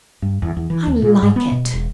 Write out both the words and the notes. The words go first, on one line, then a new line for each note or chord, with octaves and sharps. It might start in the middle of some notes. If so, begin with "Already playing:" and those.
I like it.
G2
E2
E2
E3
D#2
A#2
G#2
B3
B2
E1